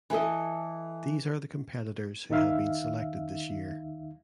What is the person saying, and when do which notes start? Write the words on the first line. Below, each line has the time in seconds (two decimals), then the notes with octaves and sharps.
These are the competitors who have been selected this year.
0.10 E3 E4 A4 D#5
2.29 D#2 D#3 D#4 E5 F5